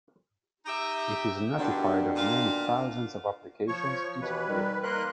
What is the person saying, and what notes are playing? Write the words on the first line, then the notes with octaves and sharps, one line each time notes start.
It is notified of many thousands of applications each year.
D#4 G4 E5
G2 B2 D3 D#3
A#2 F5
F3 C#5 C#6
D#2 B2 E3 B4
D#3 G3
A#3 A#4 B4 C6 F#6